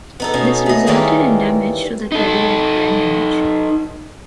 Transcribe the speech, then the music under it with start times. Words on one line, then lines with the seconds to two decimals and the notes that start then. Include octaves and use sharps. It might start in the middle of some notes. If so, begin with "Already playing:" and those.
This resulted in damage to the Cadillac brand image.
0.20 B3 D#4 A4
0.34 B2 C#4
0.66 A3 D#5
0.86 D#3 E3 G3 A#3 G#4
2.12 D#4 A4